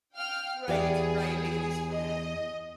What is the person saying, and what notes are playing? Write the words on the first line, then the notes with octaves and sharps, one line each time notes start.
Right, right, at least for that
F5 G5 F6
E2 G4 G#4 D5
D#5